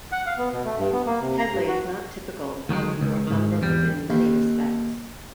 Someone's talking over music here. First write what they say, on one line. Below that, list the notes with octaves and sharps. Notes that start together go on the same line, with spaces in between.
Hedley is not typical of Northumberland in many respects.
F#5
F5
B3
B2
A3
G2
B3
A#3
C3
A#5
G2
F#4
D2 D#3 F#3 G#3
C#2
G#2 D#3
E2 G3
D#2